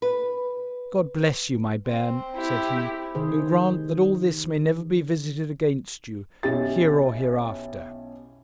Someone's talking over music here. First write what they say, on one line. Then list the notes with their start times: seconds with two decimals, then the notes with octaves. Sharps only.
'God bless you, my bairn,' said he, 'and grant that all this may never be visited against you, here or hereafter!'
0.02 B4
1.88 C4
2.35 E4 G4
3.15 C3 D#3 G#4 C5
6.43 B1 C#4 E4 G4 A6